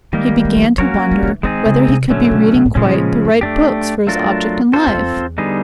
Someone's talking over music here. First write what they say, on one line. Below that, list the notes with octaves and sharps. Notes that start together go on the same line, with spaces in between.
He began to wonder whether he could be reading quite the right books for his object in life.
D#3 G3 G#3 A#3 D#4
A3
G#3
F#3
F3
F#3 A#3 C#4 F#4 A#4 C#5
F#3
G3
D#3
E3
D#3 G#3 C4 D#4 G#4
C#3
C3
A#2 D3 F#3 A3 C#4
B2
C3
A2
A#2 C#3 F3 G#3 C#4
A#2
G#2
F#2 A3 D4 G4
F#3 A3 D4 F4 A#4
C4 F4 A4 C5
F#2
F2
E2
D3 G3 B3 D#4 G#4